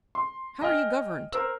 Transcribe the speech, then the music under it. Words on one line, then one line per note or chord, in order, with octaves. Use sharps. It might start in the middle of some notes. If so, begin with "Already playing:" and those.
How are you governed?
C6
D#5 G5 G#5 F6
A#4 C5 E6